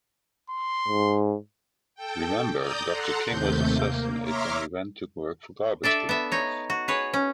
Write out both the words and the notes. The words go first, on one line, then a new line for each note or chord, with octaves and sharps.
Remember, Doctor King was assassinated when he went to work for garbage collectors.
C6
G#2
A4 G5
D5 A#5 D#6 G6
A4 F#5 A#5 C6
D#2 C3 A3 G6
A#3
C#5 E5 A#5 C6 D6 F6
D4 A4 D5 E5
B3 E5
D#4 C#5
F#4
G#4 B4 C#5
C#4